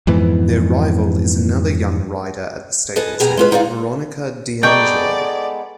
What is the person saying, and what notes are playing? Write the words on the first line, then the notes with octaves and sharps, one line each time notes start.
Their rival is another young rider at the stables named Veronica DiAngelo.
F2 G#2 E3 B3
G#4 A4 B4 D#5 A5
B2 G4 G#4 B4 G#5 A#5
G#3 F4 B4
D2 D#4 G#4 D5 F5
G#3 B3 D#4 A4 D5 G5 C#6